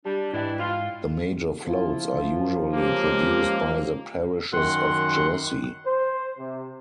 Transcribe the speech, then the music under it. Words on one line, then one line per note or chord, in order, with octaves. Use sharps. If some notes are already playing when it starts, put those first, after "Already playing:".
The major floats are usually produced by the parishes of Jersey.
G3 D4 A5
G#2 E3 D4 E4 D#5 G5
F4 F5
F3 E4 F4
G#3 A#3 C#4 G4
F#2 D#3 F#5 C6 F#6
C5
C3